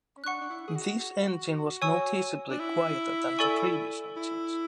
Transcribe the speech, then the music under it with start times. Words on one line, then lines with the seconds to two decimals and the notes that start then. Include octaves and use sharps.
This engine was noticeably quieter than the previous engines.
0.17 C#4
0.24 D4 F#5 C#6 F#6
0.41 D4
0.50 E4
0.68 G#4
0.76 F#4
1.82 C#5 G#5 C#6 E6
2.50 D4
2.60 E4
3.38 A4 D5 G#5 C#6 E6
4.17 E4